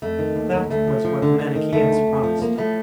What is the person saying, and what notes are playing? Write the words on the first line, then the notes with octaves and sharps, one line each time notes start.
That was what the Manicheans promised.
F2 A3
D#3
D#2
D#2
D2 A3
F3
F3
D3
D#3
D#3
D2 A3
D2
F2
F3
F3 A#3
A2 A3